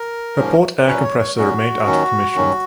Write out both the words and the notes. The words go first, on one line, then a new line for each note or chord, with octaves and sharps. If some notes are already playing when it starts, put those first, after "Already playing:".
Her port air compressor remained out of commission.
Already playing: A#4
G#2 F3 A#3 C#4
A#2 F#3 C#4 B4
C#5
C#5
A#2 F#3 C#4 F#4
D#2 D#3 F#3 C#4
D#2 D#3 F#3 C#4